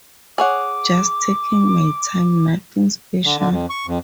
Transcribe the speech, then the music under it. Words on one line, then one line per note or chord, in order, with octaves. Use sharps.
Just taking my time, nothing special.
G#4 C#5 F#5 D6
D3
D3
F2
C#6
F2